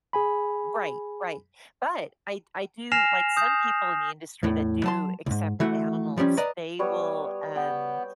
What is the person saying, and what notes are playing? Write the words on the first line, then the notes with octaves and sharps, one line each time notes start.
Right, right, but I I do like, some people in the industry that do accept animals, they will, um
G#4 G#5 B5
G#5 F6 A#6 C7 E7 F7
D#6 G6
E2 A2
F#3 A5 C6
C2 G#2
E3 A3 F#4
F3 G3 C4 C#4
B4 D5 D#5 A#5
G3 B3 C#5
B3 G5